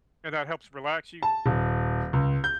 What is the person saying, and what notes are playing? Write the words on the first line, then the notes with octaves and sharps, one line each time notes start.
And that helps relax you?
A5
D#1
C#2
G6